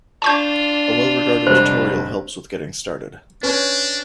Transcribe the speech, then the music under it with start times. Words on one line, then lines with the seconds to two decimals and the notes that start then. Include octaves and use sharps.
A well-regarded tutorial helps with getting started.
0.22 D4 F4 A5 C#6 G6
1.47 F1 G3 C5
3.43 C#4 D4 B4